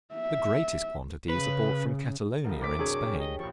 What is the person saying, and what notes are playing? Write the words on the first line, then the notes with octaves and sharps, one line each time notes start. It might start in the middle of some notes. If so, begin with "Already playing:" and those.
The greatest quantities are brought from Catalonia, in Spain.
E5
C#3 B4
C#2 D3 F3 A#4 E5 F#5
A1 A3 C4 D6 B6
F#2 C3 F#3 D4 G#4 C#5
G4
D#5
A#1 F3 C#6